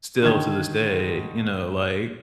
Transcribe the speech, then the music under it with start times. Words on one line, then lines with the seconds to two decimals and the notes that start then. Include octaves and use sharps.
still to this day, you know, like,
0.22 D3 D#3 G#6